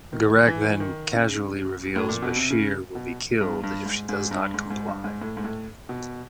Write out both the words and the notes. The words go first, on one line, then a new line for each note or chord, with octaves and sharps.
Garak then casually reveals Bashir will be killed if she does not comply.
D#3
E3
D#3
C#3
A2
A#2
B2
C3
C#3
B2
G2
G2
G#2
G#2
G2
G#2
G#2
G2
G#2
A2
G#2
A2
B2